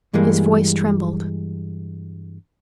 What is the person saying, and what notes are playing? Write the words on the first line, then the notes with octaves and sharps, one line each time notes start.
His voice trembled.
G2 E3 G3 G#3 A#3